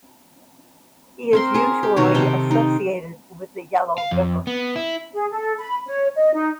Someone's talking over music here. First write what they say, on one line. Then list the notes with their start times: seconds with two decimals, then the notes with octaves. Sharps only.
He is usually associated with the Yellow River.
1.33 C4 A#4 C6
1.54 G#4 A#4
1.83 G4
1.96 B2 D#3 A#4 C#5
2.14 C3 D#4 A4 G5
2.51 D#4
3.98 F5
4.11 F2
4.47 B3
4.76 E4
5.14 G#4
5.31 A4
5.58 B5
5.86 C#5
6.17 D#5
6.34 D#4